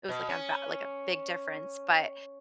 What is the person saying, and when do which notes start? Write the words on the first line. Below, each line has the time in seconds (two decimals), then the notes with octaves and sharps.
it was, like, a va like a big difference. But
0.09 B2
0.29 C#4